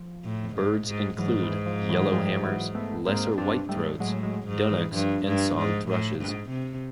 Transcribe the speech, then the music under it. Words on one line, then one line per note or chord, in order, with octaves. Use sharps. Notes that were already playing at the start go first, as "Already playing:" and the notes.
Birds include yellowhammers, lesser whitethroats, dunnocks and song thrushes.
Already playing: F3
A2
G#2
G#2
G#2 E3 F#3
E3
F3
E3 F#3
F3 G3
E3 F#3
A3 B3
G#2 A#3 C4
G2 C4 D4
G#2 G3 A3
A2 F#3 G#3
F#3 G#3
G#2
E3
G2 F3
G2
G#2
A2
G#2
C3